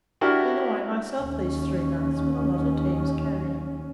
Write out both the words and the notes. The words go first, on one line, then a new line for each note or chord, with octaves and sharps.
Been away myself these three months with a lot of teams carrying.
D4 E4 F#4 G4 A#4
D#2 C#4